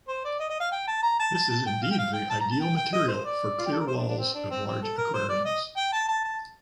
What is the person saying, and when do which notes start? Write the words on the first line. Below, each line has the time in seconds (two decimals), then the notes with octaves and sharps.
This is indeed the ideal material for clear walls of large aquariums.
0.08 C5
0.24 D5
0.39 D#5
0.50 D#5
0.60 F5
0.72 G5
0.87 A5
1.03 A#5
1.19 A5
1.34 A5
1.50 A5
1.66 G5
1.82 F5
1.91 G5
1.98 F5
2.13 G5
2.30 A5
2.40 A#5
2.51 A5
2.60 G5
2.77 G5
2.92 D#5
3.08 C5
3.24 D5
3.59 F4
3.66 G4
3.72 A4
3.80 A#4
3.87 C5
3.97 D4
4.08 D4
4.18 C4
4.34 D4
4.50 C4
4.66 C4
4.82 A4
4.98 A#4
5.14 C5
5.29 D5
5.45 D#5
5.76 G5
5.92 A5
6.08 A5
6.24 A5